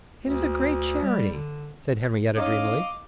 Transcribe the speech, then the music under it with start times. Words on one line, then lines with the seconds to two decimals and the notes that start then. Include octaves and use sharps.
"It is a great charity," said Henrietta dreamily.
0.25 D2
1.02 G3
1.31 D3
2.37 C#4 D#4 C#5 D#5 F5 D6